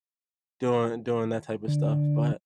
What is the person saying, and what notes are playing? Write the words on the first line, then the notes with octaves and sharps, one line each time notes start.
doing doing that type of stuff, but
D3